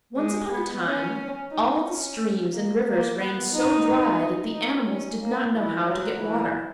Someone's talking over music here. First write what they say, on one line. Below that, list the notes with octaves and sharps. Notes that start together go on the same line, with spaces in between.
Once upon a time all the streams and rivers ran so dry that the animals did not know how to get water.
G#3
B3
C#4
D#4
C#4
A#3
A#3
B3
D#4
D#4
C#4
A#3
E3
F#3
E3